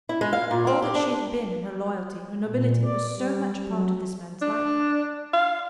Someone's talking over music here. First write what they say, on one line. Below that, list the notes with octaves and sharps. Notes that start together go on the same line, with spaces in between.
All that she had been in her loyalty, her nobility, was so much a part of this man's life.
E4
G#3
F5
A#2
C4
G4
D4
A#2
D5
G3
F#3
D4
F5